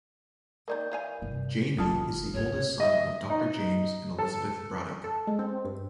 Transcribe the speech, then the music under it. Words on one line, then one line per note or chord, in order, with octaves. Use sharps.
Jamie is the oldest son of Doctor James and Elizabeth Braddock.
D#3 A3 A#3 A#4 D5 G6
E3 F5 G#5
G2 C3
F1 E3 A#3 D4 F4 A4 D#6 F6
G#2 D3 C#5
D#5 E5
D#4
A4
A4
G#3
C4
G2